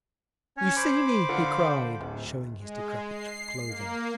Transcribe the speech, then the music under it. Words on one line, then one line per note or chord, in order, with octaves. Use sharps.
"You see me!" he cried, showing his decrepit clothing.
C#4 C#5
C5 B5 D6
D3 F4 C#7
D1
G#3
C7
A#3